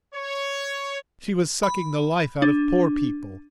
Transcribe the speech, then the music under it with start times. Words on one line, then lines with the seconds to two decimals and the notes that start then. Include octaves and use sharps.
She was sucking the life out of poor people.
0.14 C#5
1.63 B5
2.42 D4